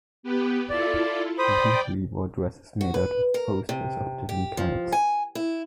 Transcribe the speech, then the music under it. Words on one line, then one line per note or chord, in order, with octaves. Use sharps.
She usually wore dresses made out of posters of different kinds.
B3 G4 B4
E4 F4 A4 D5
C5 D5 G5 B5 D#6
F#4
B4
A#4
C3
G4
F3
G#5
E4